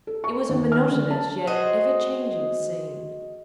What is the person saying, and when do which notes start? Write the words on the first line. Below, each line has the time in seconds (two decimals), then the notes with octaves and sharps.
It was a monotonous yet ever-changing scene.
0.07 A4
0.24 C#6
0.49 D#2
0.72 F6
0.91 D3
1.11 A5
1.47 F#4 G#4 C5 D#5